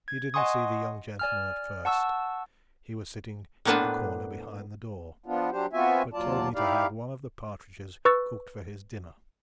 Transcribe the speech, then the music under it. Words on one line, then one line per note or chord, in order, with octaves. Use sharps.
He didn't see the young gentleman at first--he was sitting in the corner behind the door--but told me to have one of the partridges cooked for his dinner.
G#6
D#5 F#5 G#5 C6 C#6 D#6
D5 G#5 F6
F#5 A5 C#6 E6
A2 A#3 B3 D4 B4 C5
F3 B3 D4 F4
F#3 D4 G4 C5
B3 C4 F4 F#4 E5 G#5
D#2 F#3 F4 D5 A5
D#4 E4 G4 D5 F5
B4 C#6 E6 A6